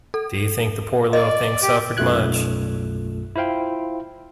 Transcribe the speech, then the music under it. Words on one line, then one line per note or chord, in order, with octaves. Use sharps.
Do you think the poor little thing suffered much?
A4
D5 D#5
G4 D6
B1 F#2 A3 F4 F#6 G#6
E4 F4 C5 F5 G5